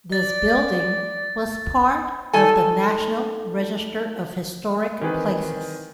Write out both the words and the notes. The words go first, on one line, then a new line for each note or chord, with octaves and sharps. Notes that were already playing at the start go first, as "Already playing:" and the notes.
This building was part of the National Register of Historic Places.
D5 A6
D#3 A4 G#5
D#3 E3 C4 G#4 B4